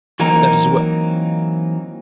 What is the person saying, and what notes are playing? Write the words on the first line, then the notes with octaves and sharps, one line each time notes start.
"That is well."
E3 F#3 A#3 C4 D#4 A#4